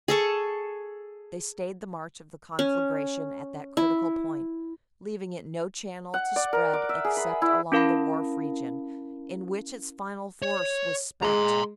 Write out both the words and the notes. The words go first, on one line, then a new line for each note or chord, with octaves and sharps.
They stayed the march of the conflagration at that critical point, leaving it no channel to spread except along the wharf region, in which its final force was spent.
G#4 A4 C#6
C#4
E4
F#5
D5
A#4
D6
E5
G#4
B5
E4
C#4 E4 A#4 F5 A5 B5
C#5
G#3 A#5 C6